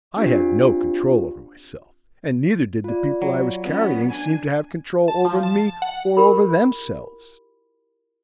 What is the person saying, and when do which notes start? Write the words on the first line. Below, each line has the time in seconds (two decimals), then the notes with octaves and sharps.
I had no control over myself, and neither did the people I was carrying seem to have control over me or over themselves.
0.16 C4 D4 F4 G4
2.84 F4 D5
3.22 F#3
3.62 B3 C#4
4.12 D4 G#5
5.08 A5
5.25 F3
5.43 A5
5.82 F#5
6.17 E4 F4 G4 G#4 A#4 B5